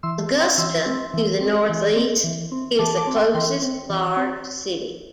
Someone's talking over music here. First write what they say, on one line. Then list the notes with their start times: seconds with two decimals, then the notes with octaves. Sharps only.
Augusta, to the northeast, is the closest large city.
0.03 E3 C6 E6
0.31 C4
0.40 G5 C6
0.58 E3 C6 E6
0.86 C4
1.14 E3
1.41 C4
1.69 E3
1.96 C4
2.24 E3
2.52 C4
2.79 E3 A5 D6
2.97 A5 D6
3.07 C4
3.16 G5 C6
3.34 E3 G5 C6
3.62 C4
3.90 E3
4.17 C4